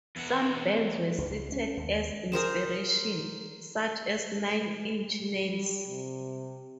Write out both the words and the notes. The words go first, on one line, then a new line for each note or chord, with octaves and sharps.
Some bands were cited as inspiration, such as Nine Inch Nails.
E2 F#4
C#2
C#4
D#2
G#4 A#4 C5 A5
G3
C3